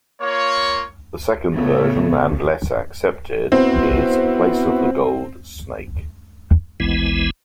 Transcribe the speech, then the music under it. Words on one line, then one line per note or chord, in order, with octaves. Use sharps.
The second version and less accepted is "place of the gold snake".
A#3 F4 C#5
A2 C#3 A3 B3
B3 C4 E4 F#4
G#1 D2 E3 G#3 B3 E4